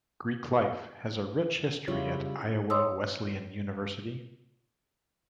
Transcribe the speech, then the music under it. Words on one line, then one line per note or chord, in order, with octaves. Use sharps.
Greek life has a rich history at Iowa Wesleyan University.
C#3 G3 E4 F4 C#5
C#5 C6 D#6 E6